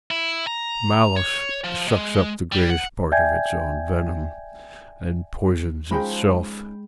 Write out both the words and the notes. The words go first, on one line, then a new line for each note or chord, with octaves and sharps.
Malice sucks up the greatest part of its own venom, and poisons itself.
E4
A#5
C#5
F3
G#3
G3
F#5
D5 E5 G5 G#5 G6 G#6
F3 G#3 C#4 D#4 G#4 G5 B5